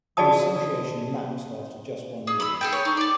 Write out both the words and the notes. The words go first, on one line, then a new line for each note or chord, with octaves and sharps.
The association lapsed after just one year.
F#4 G#4 D5 D#5 A5 D#6
G#4
B5 E6
G#4 A4 G5
C#5
D#4
D5 A5